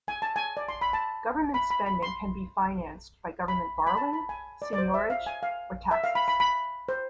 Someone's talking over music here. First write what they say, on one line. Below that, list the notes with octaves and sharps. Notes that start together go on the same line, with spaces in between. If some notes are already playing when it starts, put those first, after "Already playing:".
Government spending can be financed by government borrowing, seigniorage, or taxes.
G#5
A5
G#5
D5
C6
B5
A5
B5
B5
B5
C6
B5
B5
A5
B5
G#5
D5
D5
C5
E5
F5
G#5
F5
E5
F5
B5
B5
B5
C5